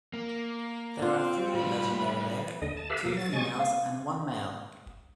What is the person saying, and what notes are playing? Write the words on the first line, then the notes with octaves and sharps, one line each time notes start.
There are three legendary Leyak, two females and one male.
A#3
C4 F4
A2 G3 B4 B5
D#2 D3 D#5
A5
G4 A4 B4 E5 F5
B2 A#3
F#3 A6
C3 G#3 G#5 C#6 A6
B4 F5